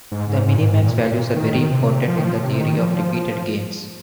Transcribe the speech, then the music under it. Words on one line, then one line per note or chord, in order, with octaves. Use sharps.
The minimax values are very important in the theory of repeated games.
G#2
G#2
G#2
A#2
G#2
G#2
A#2
A#2
D#3
C3
F3
D#3
F3
C3
D#3
F3